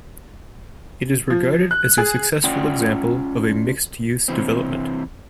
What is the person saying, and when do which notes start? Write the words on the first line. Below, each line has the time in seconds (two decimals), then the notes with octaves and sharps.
It is regarded as a successful example of a Mixed-use Development.
1.30 F3
1.71 F#6
1.98 G#4
2.44 C#4 F4 D5 F#5 G5
4.28 C3 E3 C4